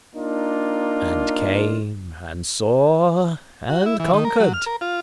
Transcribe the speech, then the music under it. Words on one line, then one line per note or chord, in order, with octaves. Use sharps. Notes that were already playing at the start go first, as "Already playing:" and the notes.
And came, and saw, and conquered.
A#3 D4 D#4 F4
F#4
E4
E3
D#3
A#4
F#3
F6
A#4
F4